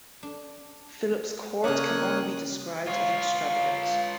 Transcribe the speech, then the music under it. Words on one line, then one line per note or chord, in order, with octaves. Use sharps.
Philip's court can only be described as extravagant.
D4
C#3 A#3 D4 C#5 D#6 F#6
F4 C#5 F5